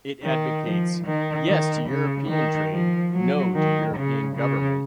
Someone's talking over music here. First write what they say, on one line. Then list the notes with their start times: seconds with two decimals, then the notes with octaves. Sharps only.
It advocates, "Yes to European trade, no to European government".
0.23 D#3
0.65 F3
1.05 D#3
1.48 D#3
1.89 C#3
2.29 D#3
2.71 F3
3.13 F#3
3.54 D#3
3.95 C#3
4.35 C#3